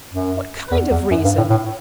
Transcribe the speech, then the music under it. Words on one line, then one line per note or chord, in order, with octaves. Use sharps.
'What kind of reason?'
F#2
E2
E2
F#2
G2
A2
A2